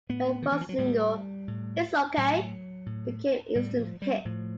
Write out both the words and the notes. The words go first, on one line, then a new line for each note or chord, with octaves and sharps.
Her first single, "It's ok", became an instant hit.
A2 B3
D#3
E3
F3
F#3
A2 G3
A2
A2 F#3
A2
A2 G3
F3
G3
A2 F3